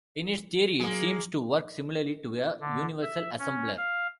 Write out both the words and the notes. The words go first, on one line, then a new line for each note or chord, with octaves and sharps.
In its theory it seems to work similarly to a universal assembler.
F#3 G#3 A#3
D3
E5
C#4
F5